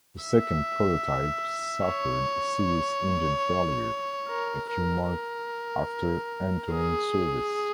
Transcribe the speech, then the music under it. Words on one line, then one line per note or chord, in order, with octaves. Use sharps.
The second prototype suffered a serious engine failure a few months after entering service.
E5
C#5
A#4
A#4
A#4
G#4